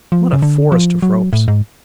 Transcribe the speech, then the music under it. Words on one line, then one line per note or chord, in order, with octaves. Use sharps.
What a forest of ropes!
F3
C#3
D3
F3
F#3
A2
G#2